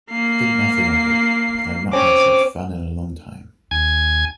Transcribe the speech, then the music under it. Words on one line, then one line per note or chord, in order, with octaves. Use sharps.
Think nothing of it. I’ve not had such fun in a long time.
A#3 C7
C4 C#4 D6
D#2 G#5 G#6